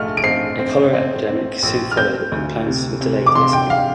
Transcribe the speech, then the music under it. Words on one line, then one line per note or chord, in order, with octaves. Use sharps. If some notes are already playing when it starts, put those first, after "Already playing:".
A cholera epidemic soon followed and plans were delayed yet again.
Already playing: A#1 A3 F6
D7
C4 C7
C4
C4
C4
A#1
F6
C4 G6
D2
C3
C3
D6
C3 C6
G5
F5